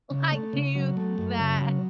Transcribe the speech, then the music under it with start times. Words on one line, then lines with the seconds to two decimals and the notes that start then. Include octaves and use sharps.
Like, do you think that
0.11 C#3
0.32 A3
0.53 C#3
0.75 F#3
0.97 A3
1.18 F#2
1.39 C#3
1.61 F#3